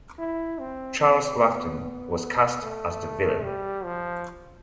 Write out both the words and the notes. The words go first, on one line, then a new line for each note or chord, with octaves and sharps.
Charles Laughton was cast as the villain.
E4
C4
C4
B3
B3
A3
G3
F3